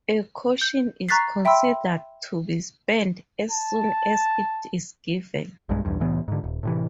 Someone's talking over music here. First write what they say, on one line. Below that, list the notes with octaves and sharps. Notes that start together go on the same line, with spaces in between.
A caution is considered to be spent as soon as it is given.
G6
A#5 C#6 F#6 A6 B6 C7
E5 G5 B5 C6 E6
A5
B1 G2 G#3
B1 E2 G2
C2 A2 E3 B3
G#2 D3
D#1
A2 C3 E3